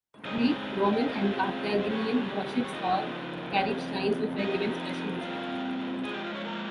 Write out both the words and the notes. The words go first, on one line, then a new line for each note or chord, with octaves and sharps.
Greek, Roman, and Carthaginian warships all carried shrines which were given special respect.
C#3 G#3 C4 D#4 D#5
G#5
G5
F5
C#3 G#3 C4 D#4 F4 D#5
C5
C#3 G3 A#3 C#4 C#5
C#5
C#3 F3 A#3 D#4 D#5
F2 C#3
C3 F3 A#3 D#4 D#5
A#2 G3 C4 F4 F5
A#2 F3 G#3 G#4 G#5
G4 G5
F4 F5
C#4 C#5
A#3 A#4